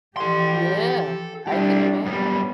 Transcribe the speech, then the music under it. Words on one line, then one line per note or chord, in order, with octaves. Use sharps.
Yeah, I can imagine.
E3 F3 G4 A4 C6
G3 D4 E4 G4
F#2 G3 B3